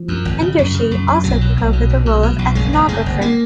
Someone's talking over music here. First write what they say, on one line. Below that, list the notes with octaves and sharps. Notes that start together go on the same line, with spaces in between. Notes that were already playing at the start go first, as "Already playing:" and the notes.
Herderschee also took over the role of ethnographer.
Already playing: F3
F#2
G#1
C#3
F#2
C#3
F#2
F#2
B1 F#3
B2
B1
B2
B1
B2
B2
B1
F#1 G#3
F#1
C#3 G#3
F#1
A#3